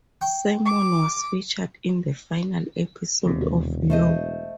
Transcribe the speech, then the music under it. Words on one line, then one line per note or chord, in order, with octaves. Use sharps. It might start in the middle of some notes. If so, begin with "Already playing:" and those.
Sermon was featured in the final episode of Yo!
G5 C#6
D6
E1 D#2 C3
A3 C5 D#5